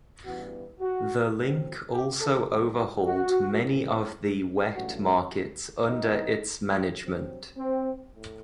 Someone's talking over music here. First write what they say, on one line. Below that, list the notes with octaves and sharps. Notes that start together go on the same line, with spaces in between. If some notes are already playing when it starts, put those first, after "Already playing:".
The Link also overhauled many of the wet markets under its management.
A1 G2 E3 B3 F#4
F#4
A2 F#3 C4
G4
A4
C2 C3 D#3 G3 G4
F#4
F#4
A2 E3 A3 C4
A1 G2 F#3 A3 F#4
C2 C3 E3 B3 D#4
G2 F#3 C4
C4
A2